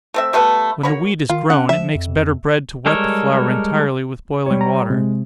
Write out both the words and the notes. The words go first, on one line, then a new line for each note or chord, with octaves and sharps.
When the wheat is grown, it makes better bread to wet the flour entirely with boiling water.
A3 C4 E5
G3 A3 B3 B4
A#3 F#4 C#5 B5
D#3 F4
C#4 F#5
F3 E5
F2
G3 G#3 A4 A#4 C#5
G3 C#5
A#5
C3 G#3